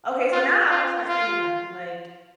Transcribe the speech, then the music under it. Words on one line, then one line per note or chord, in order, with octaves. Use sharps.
"Okay, so now I don't trust anybody, like"
F4
F4
F4